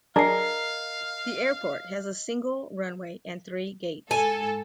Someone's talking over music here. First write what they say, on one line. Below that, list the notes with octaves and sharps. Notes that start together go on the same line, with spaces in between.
The airport has a single runway and three gates.
F#3 D4 G#4 A#4 D#5 F5 C7
G#2 A4 G#5